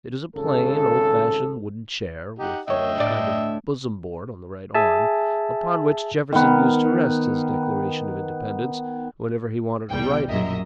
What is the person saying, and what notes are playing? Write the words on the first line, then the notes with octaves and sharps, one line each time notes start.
It is a plain, old-fashioned wooden chair, with a kind of bosom-board on the right arm, upon which Jefferson used to rest his Declaration of Independence whenever he wanted to write it.
G#1 C#3 A4
D#4 G4 F#5
D2 C#5 D#5 E5 G5
D2 A2 D5
G#4 E5 G#5 A5
D#3 B3
B1 E2 G3 G5
A#1 F#2 A#4 D#5 E5